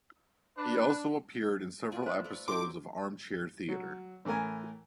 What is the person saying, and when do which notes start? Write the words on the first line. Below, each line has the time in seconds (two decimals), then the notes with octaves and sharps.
He also appeared in several episodes of "Armchair Theatre".
0.58 D4 B4
1.92 F4 D5 G#5
2.06 B4 C5 E5
2.24 A3 A4
2.48 F#3 E4 G5 C6 D6
3.69 F#3
4.25 A2 E3 A3 A#4 G#5